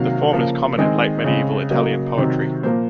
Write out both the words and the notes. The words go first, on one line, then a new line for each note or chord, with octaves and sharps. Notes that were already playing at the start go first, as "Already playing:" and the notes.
The form is common in late medieval Italian poetry.
Already playing: C3 D#3 F#3 A#3 F5
C#3 F3 A#3
D#3 G#3 C4 D#5
C#3 G#3 C4
C#3 F#3 A#3 D#5
C3 D#3 F#3 C4
A#2 F3 A#3 C5